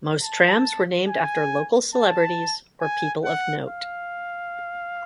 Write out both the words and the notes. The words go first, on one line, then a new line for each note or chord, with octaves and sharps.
Most trams were named after local celebrities or people of note.
A5
G#5
A5
G#5
F#5
F5